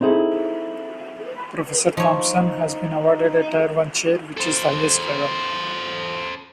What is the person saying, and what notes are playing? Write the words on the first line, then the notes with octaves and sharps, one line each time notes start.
Professor Thompson has been awarded a Tier I chair, which is the highest level.
C4 D#4 E4 G#4 A4
F3 D#4 C#5
A4 C5